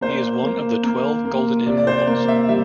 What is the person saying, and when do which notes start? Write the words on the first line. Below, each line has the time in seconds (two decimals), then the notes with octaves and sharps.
He is one of the twelve golden immortals.
0.01 A#3 C5
0.43 A#3
0.84 A#3
1.25 A#3
1.66 C3 D5
1.77 D5
1.87 C5
2.07 A#3
2.28 E5
2.48 G3 E5